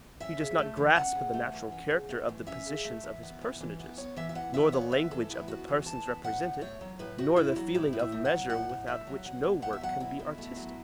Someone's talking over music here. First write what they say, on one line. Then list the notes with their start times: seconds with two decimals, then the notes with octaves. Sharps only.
He does not grasp the natural character of the positions of his personages, nor the language of the persons represented, nor the feeling of measure without which no work can be artistic.
0.20 C#4 E5
0.40 C#3
0.58 A3
0.77 E3
0.96 C#4 F#5
1.15 C#3
1.33 A3
1.53 E3
1.72 C#4
1.91 C#3
2.09 A3
2.29 E3
2.47 C#4 E5
2.66 C#3
2.84 A3
3.03 E3
3.23 B3
3.41 E3
3.61 E3
3.80 B3
3.97 B3 C#5
4.16 E3 E5
4.29 E5
4.35 E3 F#5
4.54 B3 E5
4.72 B3 C#5
4.92 E3 E5
5.11 E3 A4
5.30 B3 E4
5.48 B3 F#4
5.68 E3
5.86 E3 A5
6.05 B3
6.23 A2 F#5
6.43 A2
6.61 A3 C#5
6.81 F#3
6.99 A2 B4
7.18 A2 F#4
7.36 A3 E4
7.56 F#3 F#4
7.75 A2 E4
7.93 A2
7.99 E5
8.12 A3
8.25 F#5
8.31 F#3
8.49 A2 F#5
8.69 A2
8.87 A3 E5
9.07 F#3
9.25 B2 F#5
9.43 B2
9.62 A3 F#5
9.73 E5
9.81 F#3 F#5
10.00 B2 E4
10.19 B2
10.38 A3
10.57 F#3